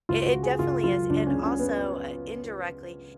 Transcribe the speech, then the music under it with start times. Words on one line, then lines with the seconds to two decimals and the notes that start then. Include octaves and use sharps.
I it definitely is, and, also, uh, indirectly,
0.09 C#2 F4
0.20 F4
0.25 F#4
0.34 C#3
0.43 G#4
0.59 C#2 F4
0.84 F#3 F4
1.09 C#2 D4
1.27 C#4
1.35 C#3
1.43 C#4
1.59 B3